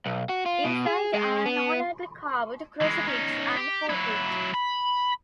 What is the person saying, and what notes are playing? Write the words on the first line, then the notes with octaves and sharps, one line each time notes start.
Inside are an ornately carved crucifix and pulpit.
B1
F#4
F4
B2
G#4
G#3
B3
E3 G#3
C#4 D#4
G4
F#3 E4
B5